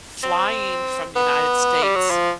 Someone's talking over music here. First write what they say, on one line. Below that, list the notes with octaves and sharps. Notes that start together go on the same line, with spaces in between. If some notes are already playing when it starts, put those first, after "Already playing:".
flying from the United States
C4
B3
G3
F#3
F3